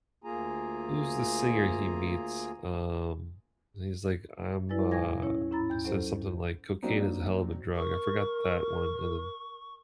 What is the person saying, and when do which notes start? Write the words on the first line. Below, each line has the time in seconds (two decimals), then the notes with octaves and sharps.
Who's the singer he meets? Um, and he's like, I'm, uh, he says something like cocaine is a hell of a drug. I forgot that one. And then
0.24 D2 A#3 F4 G#4 G#5 A#5
4.69 G3 E4 B4 D5 G#5 A6
4.91 D#2 A2 F5 G#5 G#6 A#6
5.22 C#4 E4 C#5
5.51 G#2 C#4 E4 A#5 B5 A6
5.70 D#2 G6
5.85 F#3 C#4 A4 C5
6.83 F#3 A#3 C4 D4 D#4
7.76 A#4 C#6